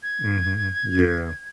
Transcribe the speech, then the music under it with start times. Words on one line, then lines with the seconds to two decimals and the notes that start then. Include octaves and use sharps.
Mhm, yeah.
0.02 G#6